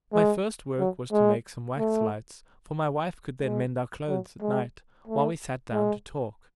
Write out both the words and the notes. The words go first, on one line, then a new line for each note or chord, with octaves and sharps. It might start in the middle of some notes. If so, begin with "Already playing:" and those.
My first work was to make some wax lights, for my wife could then mend our clothes at night, while we sat down to talk.
G#3
F#3
G#3
A3
G#3
F#3
G#3
A3
G#3